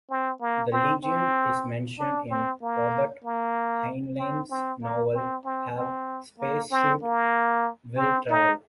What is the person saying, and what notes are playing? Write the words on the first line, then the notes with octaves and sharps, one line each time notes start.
The legion is mentioned in Robert Heinlein's novel Have Space Suit - Will Travel.
C4
A#3
C4
C4
D4
C4
A#3
A#3
C4
C4
A#3
C4
C4
C4
A#3
C4
A#3
C4
D#4